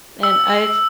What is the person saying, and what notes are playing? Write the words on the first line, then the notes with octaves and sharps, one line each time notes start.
and I've
E6